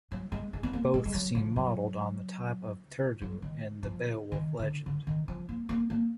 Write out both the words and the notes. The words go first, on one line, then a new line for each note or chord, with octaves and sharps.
Both seem modeled on the type of Thyrdo of the Beowulf legend.
F#3
G#3
G#3
B3
A#3
G#3
G#3
F#3
F3
F#3
F#3
D#3
F3
D#3
D3
D3
D#3
F3
A#3
A#3
A#3